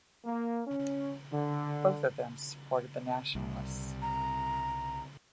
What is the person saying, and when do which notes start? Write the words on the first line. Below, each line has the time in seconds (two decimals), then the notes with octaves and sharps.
Both of them supported the Nationalists.
0.25 A#3
0.67 C#4
1.33 D3
3.35 C2
4.02 A#5